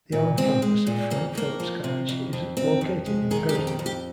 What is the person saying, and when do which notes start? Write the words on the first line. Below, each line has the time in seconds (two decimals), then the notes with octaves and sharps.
The Allen Campus of Frank Phillips College is located in Perryton.
0.12 A#2
0.37 G#3 C4
0.62 G#3
0.87 A#2
1.10 F2 A#3
1.35 F2 A#3
1.60 F3
1.84 C3
2.09 F2
2.33 F2
2.57 F2 C4
2.81 F2
3.06 G#3
3.31 D#3 G#4
3.49 G4
3.55 F2
3.67 G4
3.79 F2
3.86 G4